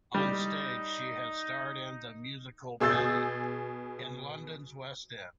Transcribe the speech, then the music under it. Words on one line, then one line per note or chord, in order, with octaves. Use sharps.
On stage she has starred in the musical "Betty", in London's West End.
G3 D#4
B2 G#4 E6 G6 A6